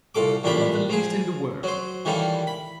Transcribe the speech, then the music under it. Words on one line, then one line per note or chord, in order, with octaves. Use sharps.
"Not the least in the world."
C2 F4 A4 D6
A1 A#2 D4 F4 G4 B5
F3 G#4
F#3 C5
D#3 E3 G3 F4 A4
B5